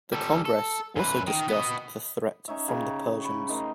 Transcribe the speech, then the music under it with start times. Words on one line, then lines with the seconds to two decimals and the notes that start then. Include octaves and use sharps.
The Congress also discussed the threat from the Persians.
0.12 G3 A4
0.45 A4
0.96 F#2 B4
1.27 D#3
1.48 B3 D#5
2.48 C#4 D#4 C#5 E5
2.68 C#3 G4 A#5
3.21 B5 C#6
3.48 A3 D#4 A#4 C5